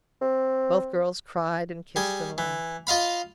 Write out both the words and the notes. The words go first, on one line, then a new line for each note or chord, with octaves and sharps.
Both girls cried and kissed and laughed.
C4
G3 G#4
E3
F4 D#5 F5 B5